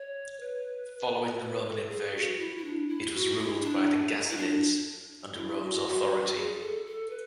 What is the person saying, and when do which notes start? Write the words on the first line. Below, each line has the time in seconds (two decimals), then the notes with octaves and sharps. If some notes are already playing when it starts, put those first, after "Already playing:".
Following the Roman invasion, it was ruled by the Ghassanids, under Rome's authority.
Already playing: C#5
0.40 B4
1.41 B4
1.66 A4
1.90 G#4
2.14 F#4
2.39 E4
2.57 E4
2.65 D4
2.88 E4
3.14 F#4
3.38 E4
3.63 D4
4.30 E4
4.37 D4
5.36 E4
5.62 F#4
5.86 F#4
6.37 G#4
6.61 A4
6.86 A4
7.10 B4